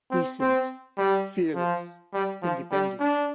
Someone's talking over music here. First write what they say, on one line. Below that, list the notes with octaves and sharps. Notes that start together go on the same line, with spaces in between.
Decent, fearless, independent.
C4
C4
G3
F3
G3
F3
G3
D4